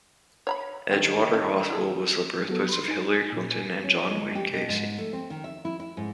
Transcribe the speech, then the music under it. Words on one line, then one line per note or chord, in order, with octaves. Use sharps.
Edgewater Hospital was the birthplace of Hillary Clinton and John Wayne Gacy.
C#5 A#5 B5
D3 D#3 C#4 G5
C#4 A4
E4 G#4 A4
F#3 B3 A4
B5 C6
D#4 G#5
A#2 G#5
C#4
G#3
G4
B2
G#2
A3
C4
D#3
E5
E4
E4
G#2